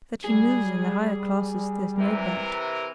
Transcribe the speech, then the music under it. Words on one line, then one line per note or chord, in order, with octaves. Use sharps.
That he moves in the higher classes there's no doubt.
G3 G#4
C3 E3 A#4